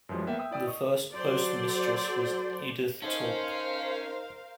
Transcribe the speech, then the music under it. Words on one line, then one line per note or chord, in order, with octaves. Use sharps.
The first postmistress was Edith Tulk.
F#2 E3 F3 G3 G#3
A#3 B3 E5 G5
E5 G5 D#6 E6
E4 D5 G5 D#6 E6
D#5 C#6 D#6
F#3 A4 C5 D5
C#4 D#4 A4 A#4 C5 D#5 F5